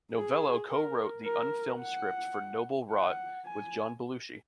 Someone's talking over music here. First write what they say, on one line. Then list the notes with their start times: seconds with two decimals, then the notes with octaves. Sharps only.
Novello co-wrote the unfilmed script for "Noble Rot", with John Belushi.
0.15 G#4
0.70 A#4
1.25 A#4
1.81 F#5
2.91 F#5
3.47 G#5